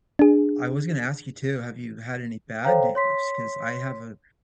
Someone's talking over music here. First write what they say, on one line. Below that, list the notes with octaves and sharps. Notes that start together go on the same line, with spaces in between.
I was gonna ask you too, have you had any bad neighbors? 'Cause I have a
D4 G#4
A4 C5 C#5 F5 G5 A#5
C#5 C6 B6